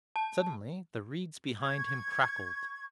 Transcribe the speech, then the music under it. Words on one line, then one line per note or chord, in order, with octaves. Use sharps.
Suddenly the reeds behind him crackled.
A5
C#6 G#6